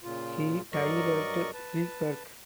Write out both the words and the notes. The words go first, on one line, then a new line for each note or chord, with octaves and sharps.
He died at Freiburg.
A#2 C#3 F4
G2 F#3 A#4 D5 D#5 C#6
B4 A5